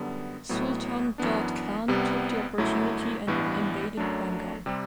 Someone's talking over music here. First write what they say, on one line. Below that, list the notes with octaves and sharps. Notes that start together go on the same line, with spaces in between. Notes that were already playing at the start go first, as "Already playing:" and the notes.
Sultan Daud Khan took the opportunity and invaded Bengal.
Already playing: F#2 D3 G3 B3
A1 A2 F#3 B3
F#2 E3 B3 D4
C2 C3 G3 B3
G1 F#2 F#3 A3 E4
A1 G2 E3 B3
F#2 F#3 A3 D4
C3 G3 C4